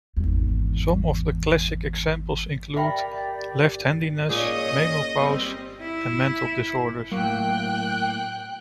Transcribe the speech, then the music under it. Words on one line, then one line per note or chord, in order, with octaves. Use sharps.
Some of the classic examples include: left handedness, menopause, and mental disorders.
G#1 E2
G4 A#4 D5 E5 G5 B5
A#2 C#4 G#4 D#5 D#6
G3 C4
E4
A2 F#3 A#3 G5 F#6